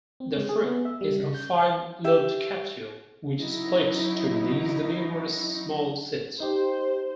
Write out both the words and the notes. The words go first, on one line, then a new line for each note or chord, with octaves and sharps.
The fruit is a five-lobed capsule, which splits to release the numerous small seeds.
C4
G#3
G#4
B3
E5
G3
C#3
G6
C5
G4 E5
F#3 C#4 D#4 E4
D#4 G4 C5